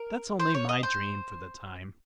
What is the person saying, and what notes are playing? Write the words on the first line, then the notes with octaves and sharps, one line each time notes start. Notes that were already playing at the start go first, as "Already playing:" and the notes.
That's only my dream for the time.
Already playing: A#4
C5
C#5
D#5
C5